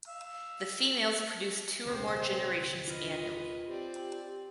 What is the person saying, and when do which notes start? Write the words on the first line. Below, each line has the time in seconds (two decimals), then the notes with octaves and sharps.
The females produce two or more generations annually.
0.08 F5 E6
1.85 D#1 C2 D3 C4 C5
2.88 F4 B4 D#5 F6
3.68 C4 G4 D5